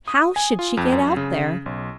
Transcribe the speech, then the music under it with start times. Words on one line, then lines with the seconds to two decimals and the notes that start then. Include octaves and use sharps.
How should she get out there?
0.08 D#6
0.36 G#5
0.59 F4
0.77 F2
0.92 F#2
1.17 C#3
1.66 B1